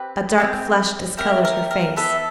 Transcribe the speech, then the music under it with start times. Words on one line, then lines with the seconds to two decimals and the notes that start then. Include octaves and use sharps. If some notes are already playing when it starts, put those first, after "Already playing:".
A dark flush discolored her face.
Already playing: C4 G4 B4
0.38 C4 E4 G4
1.17 C4 E4 G4 A#4
1.45 A#4
1.71 A#4
1.96 B3 E4 A4 E5